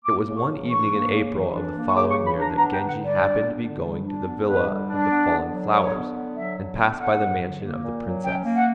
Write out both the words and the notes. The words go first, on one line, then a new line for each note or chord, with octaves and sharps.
It was one evening in April of the following year that Genji happened to be going to the villa of "the falling flowers," and passed by the mansion of the Princess.
A#3 D6
C#3
C#6
E3
D4 C#6
A#3
C#3
E3
D4
A#3
C#6
C#3 D6
C#6
E3
B5
D4
A#5
B3 A#5
G5
D3
F#5
G3 D5
D4
B3
D3
G3
D4
B3
D3 B4
G3
D4
B3
D3
F#3
D3 C#5
B3
D3
F#3 E5
D3
B3
D3 F#5
F#3
D3
A#3
A#2
F#3
C#4 G5
A#3
F#5